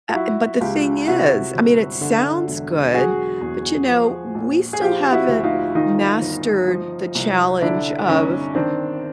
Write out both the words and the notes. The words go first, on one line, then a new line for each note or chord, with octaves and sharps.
uh, but the thing is, I mean, it sounds good, but, you know, we still haven't mastered the challenge of,
F4
F#3 E4 F#4
C#2 F4 G4
C3 E4 F#4
G1
D3
E1
F#3 F#4 G#4
E2
F3
A#1
G#4
F3 F4 G4
E4 F#4
D2
D#4 F4
D#3 D#4 F4
G1
F3
C2
D3 D4 E4
G1 C#4 D#4
D#3 C4 D4